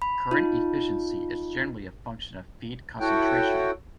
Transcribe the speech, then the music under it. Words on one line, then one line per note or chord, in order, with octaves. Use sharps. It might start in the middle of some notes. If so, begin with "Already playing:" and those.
Current efficiency is generally a function of feed concentration.
B5
D#4 F4
E4 F#4 A4 C#5 F#5 G5